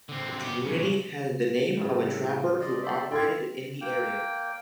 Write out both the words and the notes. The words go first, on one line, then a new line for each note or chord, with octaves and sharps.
The community has the name of a trapper who operated in the area.
D3 C4
B3 G4
B1 C#3
A2 C#3 G3
D5 D#5 C6
C5 D5 E5
E4 F4 D5 G5 C6 G#6
A#3 G5